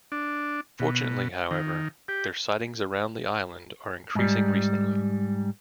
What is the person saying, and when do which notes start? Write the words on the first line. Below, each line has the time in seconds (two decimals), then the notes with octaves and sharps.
Fortunately, however, their sightings around the island are increasing recently.
0.12 D4
0.80 B2
1.51 D#3
2.08 G4
4.15 G#2 G3